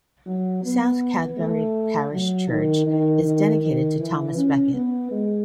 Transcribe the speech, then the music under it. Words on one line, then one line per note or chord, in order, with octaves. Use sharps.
South Cadbury parish church is dedicated to Thomas Becket.
F#3
B3
A3
F#3
D#3
D#3
D#3
D#3
E3
C#4
B3
G#3